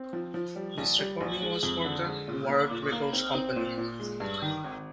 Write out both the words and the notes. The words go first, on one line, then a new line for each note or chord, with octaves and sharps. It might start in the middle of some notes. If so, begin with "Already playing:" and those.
This recording was for the Word Records company.
Already playing: C4
F3
F3
G3
A#1
G3
A#1
G#3
F2
D3
G#3
A#2
A#3
A#2
A#3
C4
C4
A#2
A#2
G#3
G2
D#3
G#1